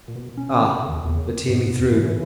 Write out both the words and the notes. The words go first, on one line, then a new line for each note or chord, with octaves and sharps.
Ah, but hear me through.
A#2
B2
C#4
C#3
B2 D#3
C#3
E2
E2 A#2
F#2 C#3
B2
G#2 C#3
F#2
E2
F#2
G#2 C#3 E3